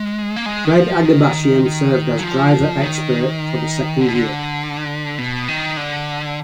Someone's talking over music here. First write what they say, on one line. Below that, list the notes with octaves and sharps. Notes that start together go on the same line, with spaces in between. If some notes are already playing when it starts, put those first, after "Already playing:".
Fred Agabashian served as "driver expert" for the second year.
Already playing: G#3
A#3
G#3
D#3
F3
D#3
F#3
F3
D#3
D3
B2
D3
B2
D#3
D3